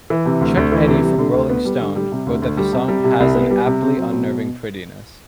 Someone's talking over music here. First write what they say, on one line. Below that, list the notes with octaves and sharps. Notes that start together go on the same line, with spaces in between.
Chuck Eddy from "Rolling Stone" wrote that the song "has an aptly unnerving prettiness".
E3
C3
D2
D2
E3
C3
G3
D3
D2
B3
G3
D3
G3
C3
D2
D2
G3
C3
G3
C3
C2
B3
G3
C3
C4
F#3
B2